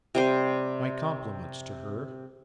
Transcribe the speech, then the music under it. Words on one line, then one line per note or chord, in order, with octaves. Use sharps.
'My compliments to her.
C3 G3 C5